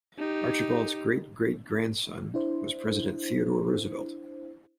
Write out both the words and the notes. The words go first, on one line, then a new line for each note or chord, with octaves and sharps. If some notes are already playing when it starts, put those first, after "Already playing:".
Archibald's great-great-grandson was President Theodore Roosevelt.
D#4 G4
D4 E4 C5